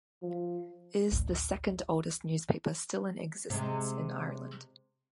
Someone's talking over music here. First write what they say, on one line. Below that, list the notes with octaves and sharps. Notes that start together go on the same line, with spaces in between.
It is the second oldest newspaper still in existence in Ireland.
F3
A1 D2 A2
C3 G#3